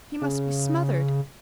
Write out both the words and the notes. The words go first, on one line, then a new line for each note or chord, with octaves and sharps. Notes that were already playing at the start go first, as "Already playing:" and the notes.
He must be smothered.
C#3